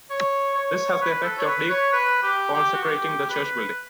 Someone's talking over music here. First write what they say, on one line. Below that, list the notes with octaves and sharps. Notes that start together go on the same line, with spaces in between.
This has the effect of deconsecrating the church building.
C#5
C#5
B4
A4
C#5
B4
C#5
B4
G4
G4
F#4
G4
B4